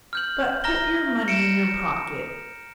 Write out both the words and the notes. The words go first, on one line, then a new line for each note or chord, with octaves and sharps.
But put your money in your pocket.
F6 G6 F#7
A#5 F6 A#6 G7
C#7 D7 E7